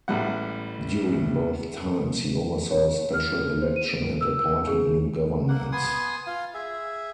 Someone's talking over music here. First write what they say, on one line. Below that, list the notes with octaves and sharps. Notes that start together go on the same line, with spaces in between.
During both times he oversaw special election and appointed new governments.
A1 G3 F#5
C#5
F6
C5
D#7
D7
E6
G#4
A#3 F#5
B3 G#5 C6 D#6
F4 F5
G#4 E5